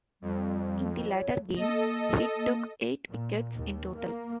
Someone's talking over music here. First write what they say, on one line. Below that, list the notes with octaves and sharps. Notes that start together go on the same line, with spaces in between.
In the latter game, he took eight wickets in total.
F2 G3
C#5
A#3 A4 D#5
A#3
A#2
D#2
A#3